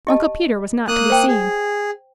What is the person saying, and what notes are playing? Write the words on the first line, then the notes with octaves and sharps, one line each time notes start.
Uncle Peter was not to be seen.
G4 D#5 A5
A#3 D#6 F#6
C5 G5
G#4